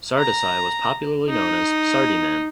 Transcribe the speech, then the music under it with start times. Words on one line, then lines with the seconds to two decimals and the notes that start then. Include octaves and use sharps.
Sardesai was popularly known as 'Sardee-man'.
0.18 A#5
1.29 D#4